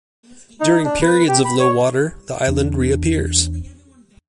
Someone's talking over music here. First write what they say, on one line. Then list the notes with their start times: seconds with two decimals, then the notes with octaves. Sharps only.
During periods of low water the island reappears.
0.61 D#4
0.84 D4
1.02 B4
1.28 G4
1.45 B5
1.60 C#5
2.47 E2 D4